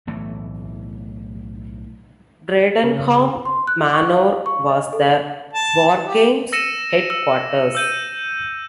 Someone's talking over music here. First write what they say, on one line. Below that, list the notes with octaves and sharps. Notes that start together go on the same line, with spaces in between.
Bradenham Manor was the Wargames' Headquarters.
B1 A2 E3 A3
C#3
C6
F#6
C#6
F5
C#6
D#5
A4
A5
G4
E6 A#6 C#7 D#7 E7
E6
E6 G6 D#7